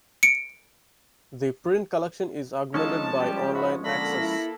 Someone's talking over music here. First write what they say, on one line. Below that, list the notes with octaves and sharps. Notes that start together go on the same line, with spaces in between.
The print collection is augmented by online access.
C#7 D7
F3 G#3 C#4 D#4 F4 A4 A5
G3 G4
G#2 F#4 E5 B5
D3 A#3 A4 B5 A#6
E4